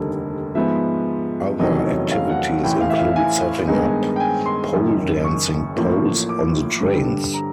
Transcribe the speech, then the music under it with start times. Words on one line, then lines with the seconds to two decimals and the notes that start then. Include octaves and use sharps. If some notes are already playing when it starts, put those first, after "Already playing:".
Other activities include setting up pole-dancing poles on the trains.
Already playing: F1 D#2 D3 G3
0.55 G#2 F3 G#3 B3 E5
1.59 F1 E2 C3 D#3 F#3 D#5
1.86 C#5
2.12 F5
2.29 F#5
2.64 A1 A2 E3 G5
2.81 F5
2.90 E5
2.98 F5
3.16 G#5
3.68 G2 D#3 G#3 B3 D#4
4.16 G5
4.20 G#5
4.46 C6
4.72 F#1 F#2 D#3
5.24 C#6
5.76 A1 A2 F3 A#3
6.29 D6
6.81 G2 D3 G3
7.34 A#5